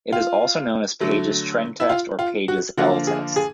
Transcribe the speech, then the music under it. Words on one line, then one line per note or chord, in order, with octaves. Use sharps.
It is also known as Page's trend test or Page's "L" test.
F4
D3 F#3 A3
E4
F4
F4
F#4
D3 F3 A#3 F#4
G#4
G#4